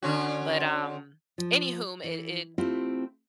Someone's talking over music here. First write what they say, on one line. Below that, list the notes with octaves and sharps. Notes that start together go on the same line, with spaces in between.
but, um. Any whom, it it
D3 C#4 F#4
F3
E3
A3 C4 E4 F4 G4